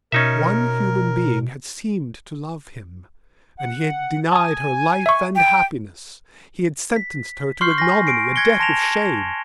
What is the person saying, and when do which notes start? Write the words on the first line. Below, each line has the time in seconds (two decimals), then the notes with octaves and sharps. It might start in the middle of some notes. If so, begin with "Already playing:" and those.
One human being had seemed to love him and he had denied her life and happiness: he had sentenced her to ignominy, a death of shame.
0.12 B2 C#4 D#4 A#4 E5
3.59 F#5
4.32 G#5 A5 D#6
5.06 E5 C#6
5.36 G5
6.96 B6
7.61 C6 C#6 F6 G6 C7
7.78 G#5 A#6
8.07 C7 D7
8.36 F#6 G#6 A#6 C#7 G7
8.59 A5 C6 A#6 D7 E7 F7